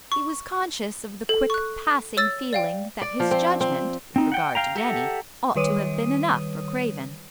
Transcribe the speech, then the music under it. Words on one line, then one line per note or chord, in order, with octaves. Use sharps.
He was conscious of the quick passing feeling that his judgment, with regard to Denny, ought to have been enough for Craven.
C#6
A4
C#6 F#6
C#5 E6 A6
D5 F5 G5
D5
F3
C4
C4
C4 D#4
F#5 G5
F5 G5 A#5
G4 A4 E5 F#5 A#5
D#3 G3 B4 C#5 D#6 D#7